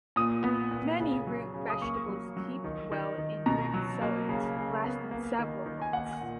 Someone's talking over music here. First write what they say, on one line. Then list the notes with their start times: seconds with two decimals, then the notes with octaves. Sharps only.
Many root vegetables keep well in root cellars, lasting several months.
0.16 A#2 D#6
0.44 B3
0.71 A#2
0.99 C#3
1.27 F#3
1.54 C#3
1.70 D#6
1.81 A#3 C#6
2.08 F#3
2.37 F#3
2.64 D#3
2.92 D#3
3.18 D#3
3.46 B2 A#5
3.74 F#3
4.01 A#3
4.29 C#3
4.57 C#3
4.84 B3
5.11 A#3
5.39 D#3
5.66 D#3
5.82 G#5
5.93 A#3 F#5
6.21 A#2